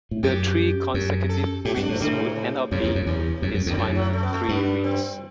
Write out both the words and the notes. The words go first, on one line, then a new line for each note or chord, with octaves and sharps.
The three consecutive wins would end up being his final three wins.
A2
F#2 G4
F#2
A4
A2 G4
G2 F#4
D4
A2
E3
A2 D3
C3
B2
C3
F#2 C3
E2
F#2
E2 C3
F#2
F#2
E2
D3
F#2 C3
F#3
A3
B3
A3
A3
G2 B3
C4